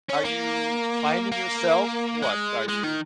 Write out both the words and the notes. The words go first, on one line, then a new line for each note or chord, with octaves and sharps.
are you finding yourself, what, are you
C#4
A#3
A#3
G#3
G#3
D#3